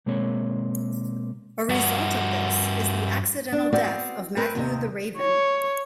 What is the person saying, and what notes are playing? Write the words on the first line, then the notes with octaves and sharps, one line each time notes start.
A result of this is the accidental death of Matthew the Raven.
B2 G#3 A#3 C4 C#5
G2 F#4
D4
B3 C4 F#4 D5
C4 A#4 B4
D#2 C3 D#5
C#5